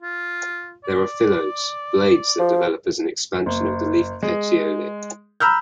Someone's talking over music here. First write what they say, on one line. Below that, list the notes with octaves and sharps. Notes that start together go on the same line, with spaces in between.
These are phyllodes, blades that develop as an expansion of the leaf petiole.
F4
D5
F3
F#1
G#3
A#5 B5 E6 F6 G6